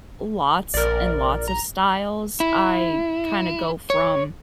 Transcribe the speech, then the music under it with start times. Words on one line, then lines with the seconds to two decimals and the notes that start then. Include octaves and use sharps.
lots and lots of styles. I kinda go from,
0.74 A#1 A#4 D5
1.48 A#5
2.40 E4
3.90 C#5